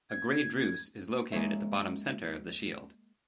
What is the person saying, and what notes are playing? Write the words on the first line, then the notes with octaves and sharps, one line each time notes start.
A grey druse is located at the bottom center of the shield.
G#6
G#6
G#6
G#3 A#3 C#5 E5